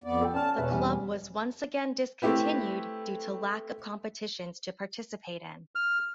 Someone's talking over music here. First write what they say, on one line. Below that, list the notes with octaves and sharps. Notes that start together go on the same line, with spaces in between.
The club was once again discontinued due to lack of competitions to participate in.
F2 B3 D5
A4 G5
C#4 D5 A5 F6
E1 C#4 B4 E5
E2 G3
A3 C4 E4 G4 B4
F6